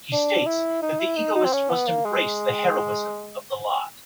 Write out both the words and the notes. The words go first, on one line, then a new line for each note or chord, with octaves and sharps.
He states that the egoist must embrace the "heroism of the lie".
D4
E4
D#4
E4
D#4
D#4
C4
C#4
B3
A#3
G#3